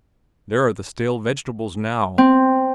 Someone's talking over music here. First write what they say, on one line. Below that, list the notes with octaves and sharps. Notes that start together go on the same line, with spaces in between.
There are the stale vegetables now.
C4